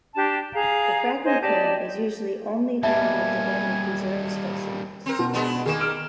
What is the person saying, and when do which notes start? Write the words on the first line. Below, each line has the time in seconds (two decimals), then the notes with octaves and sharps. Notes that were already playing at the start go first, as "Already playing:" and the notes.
The phragmocone is usually only found with the better preserved specimens.
0.14 D4 G4 A5
0.53 G#4 F5 A#5
1.25 C5 C#5 D#5 G#5
1.42 G4 D5 D#5 A5
2.83 G3 A#3 B3 D#5 E5 G#5 A5
5.06 C4 A#4
5.19 B2
5.33 G#3 B3 D4
5.66 D#3 A#3 G#4
5.80 F6 D7 E7